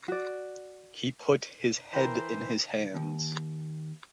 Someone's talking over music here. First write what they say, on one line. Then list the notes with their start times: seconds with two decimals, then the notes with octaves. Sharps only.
He put his head in his hands.
0.08 F#4 D5
1.93 E3 A#4 C5 G5 B5
2.94 D#2